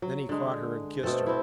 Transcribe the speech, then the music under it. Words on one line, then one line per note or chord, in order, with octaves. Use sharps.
Then he caught her and kissed her.
F#3
D3 G#3
B2 A3 C4 A4
C4 E4